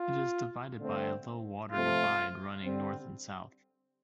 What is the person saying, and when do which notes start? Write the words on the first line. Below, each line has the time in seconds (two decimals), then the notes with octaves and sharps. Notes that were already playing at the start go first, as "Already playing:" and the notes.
It is divided by a low water divide running north and south.
Already playing: F4
0.80 D3 A3 C4
1.72 C3 F3 A3 C4 F4
2.63 D3 G3 C4